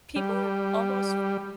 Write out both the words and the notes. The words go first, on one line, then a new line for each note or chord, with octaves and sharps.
people ark almost
G3